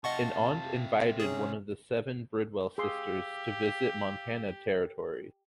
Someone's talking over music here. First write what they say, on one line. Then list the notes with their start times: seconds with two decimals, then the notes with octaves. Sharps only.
An aunt invited one of the seven Bridwell sisters to visit Montana Territory.
0.04 C3 F4 D#5 F#5 A5 C#6
1.20 C#4 D#4 G#4
2.78 G4 G#4 F5 C6 D6 E6